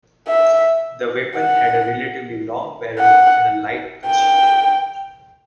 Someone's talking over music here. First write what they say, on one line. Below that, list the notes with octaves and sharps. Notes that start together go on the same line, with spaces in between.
The weapon had a relatively long barrel and a light construction.
E5
F#5
F#5
G5